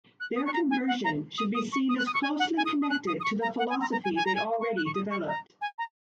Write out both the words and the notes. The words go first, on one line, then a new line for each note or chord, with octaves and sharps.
Their conversion should be seen as closely connected to the philosophy they already developed.
F#6
D#6
C#6
A#5
G#5
F#5
A#5
D#6
D#6
C#6
D#6
F#6
D#6
C#6
G#5
F#5
G#5
D#6
D#6
F#6
D#6
D#6
C#6
A#5
F#5
G#5
A#5
A#5
G#5
G#5
A#5
G#5
C#6
F#6
C#6
D#6
C#6
A#5
G#5
A#5